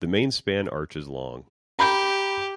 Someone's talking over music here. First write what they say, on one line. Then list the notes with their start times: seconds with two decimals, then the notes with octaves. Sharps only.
The main span arch is long.
1.79 G4 A#5 B5 G6